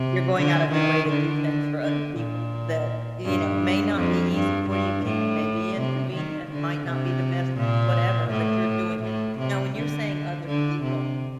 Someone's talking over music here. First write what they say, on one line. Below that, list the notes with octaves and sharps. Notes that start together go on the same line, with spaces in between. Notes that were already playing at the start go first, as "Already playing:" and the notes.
You're going out of your way to do things for other people that, you know, may not be easy for you, may may be inconvenient, might not be the best whatever, but you're doing it. Now, when you're saying "other people,"
Already playing: C3
D3
D#3
D3
D3
A#2
G2
F2
G2
G2
A2
C3
D#3
D3
C3
A#2
A2
A2
C3
D3
D3
C3